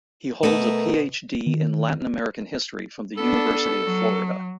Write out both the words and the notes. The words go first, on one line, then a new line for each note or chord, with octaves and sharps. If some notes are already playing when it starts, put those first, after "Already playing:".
He holds a Ph.D. in Latin American History from the University of Florida.
B2 A3 A#4
D#3
B3 D4 A4
F#3